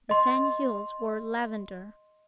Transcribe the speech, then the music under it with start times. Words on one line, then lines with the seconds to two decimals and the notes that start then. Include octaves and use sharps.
The sand hills were lavender.
0.09 D#5 C6